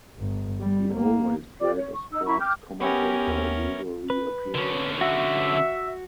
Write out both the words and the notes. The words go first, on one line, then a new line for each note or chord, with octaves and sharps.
He always played a sports commentator, usually appearing as himself.
G1
G3
A#3
F4 G4 D5 D6
C#5
C#6
D#4 E6
E4 A#5 B5 C#6
G5 D6 F6 G6
B3 C#4 G4 A#4 E5 G#5
D#2
B4
D3 C#4
F#4 E5